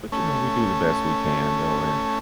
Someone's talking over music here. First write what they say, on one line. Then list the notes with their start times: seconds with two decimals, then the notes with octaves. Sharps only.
But, you know, we do the best we can, though, and
0.12 A3 C#4